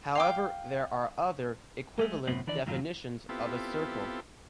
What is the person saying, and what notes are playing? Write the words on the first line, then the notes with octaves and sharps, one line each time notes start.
However, there are other, equivalent definitions of a circle.
F5 G5 D6
G#3 A3
F#2 A2 C3 B3 C4
D#3 E3 D4 E4 D5
F#2 A2 D#3 F#3 F4
B3 C4 E4 F4 G4 A4